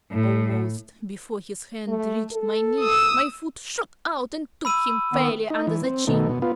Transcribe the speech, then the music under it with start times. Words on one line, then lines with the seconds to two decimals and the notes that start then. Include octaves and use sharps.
Almost before his hand reached my knee, my foot shot out and took him fairly under the chin.
0.12 A2
1.88 A3
2.33 A4
2.80 D#6 E6
4.65 B5 E6 D#7
5.13 D#3 B3
5.50 D#4
5.67 E3
5.84 C4
6.07 B2 D#3 A3
6.29 B2
6.42 B3 F4